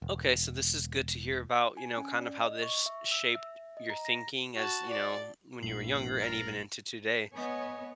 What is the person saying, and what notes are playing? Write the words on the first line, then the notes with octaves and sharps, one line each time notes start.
okay, so this is good to hear about, you know, kind of how this shaped your thinking as, you know, when you were younger and even into today.
E1
G#5
C#4
D5
D#5
C#6
E5
E6
E5
D#5
A#5
A#6
F#4 A5
D5
A#1 G2 A#2 C7 F#7
A#4 A6
B3 C#5 D#5 G#5